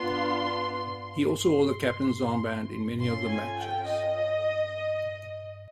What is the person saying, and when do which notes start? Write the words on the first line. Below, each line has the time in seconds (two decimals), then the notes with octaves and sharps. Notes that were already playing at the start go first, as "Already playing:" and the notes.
He also wore the captain's armband in many of the matches.
Already playing: B3 D4 F4 C6
1.28 C6
3.00 C#4 F4 A4 C6
3.28 G#5
3.58 G5
3.87 D#5